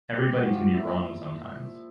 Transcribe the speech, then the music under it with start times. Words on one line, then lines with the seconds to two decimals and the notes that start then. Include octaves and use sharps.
Everybody can be wrong sometimes.
0.18 G#3 G4
0.37 F#4
0.46 F3
0.55 F4
0.73 A#2 E4